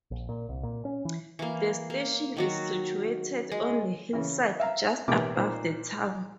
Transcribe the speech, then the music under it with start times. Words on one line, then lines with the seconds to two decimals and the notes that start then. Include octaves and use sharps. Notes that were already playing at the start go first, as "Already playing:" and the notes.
The station is situated on the hillside just above the town.
0.11 A#1
0.29 A#2
0.49 C2
0.63 A#2
0.85 C#4
1.05 E3
1.39 E3 A#3
1.90 A#3
2.37 D#3 F#3 F#4
3.52 G#3
4.13 C#3 E3
4.60 E5 F5 A#5
5.08 A1 B2 E3 A#3 G4 D6
5.36 A#2 A#3 D#4 C5